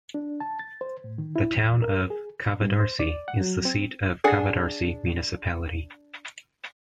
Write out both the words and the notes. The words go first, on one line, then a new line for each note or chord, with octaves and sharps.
The town of Kavadarci is the seat of Kavadarci Municipality.
D4
A5
A6
C5
A2
D#3
E4
E2
A#4
G#4
G2
C5
D5
F#5
F#3
C4
D4 G#4 F#5 G#5